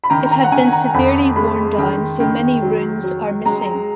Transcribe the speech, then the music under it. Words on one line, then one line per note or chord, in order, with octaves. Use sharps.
It had been severely worn down so many runes are missing.
B5
D#3 A#5
A#5
F#5
D#3 G#5
A#5
F2 B5
G#3 B5
D#3
D#3
F#3
F#3
G#3 A#5